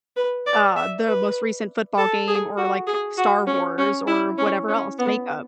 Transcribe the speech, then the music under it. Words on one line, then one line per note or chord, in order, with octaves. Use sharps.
uh, the most recent football game or, like, Star Wars or whatever else Makeup
B4
D5
E5
B4
A4
G#4
F#4
G#4
F#4
C#4
C#4
E4
C#4
C#4
B3